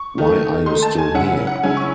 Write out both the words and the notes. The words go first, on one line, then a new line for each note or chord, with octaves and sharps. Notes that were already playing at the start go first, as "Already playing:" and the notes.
Why are you still here?
Already playing: C#6
D#3 A3 D#4
D#3 A3 D#4 C6
A5
G#5
C#3 F#3 C#4 E4 F#5
F#5
C#3 F#3 C#4 E4 G#5
C#6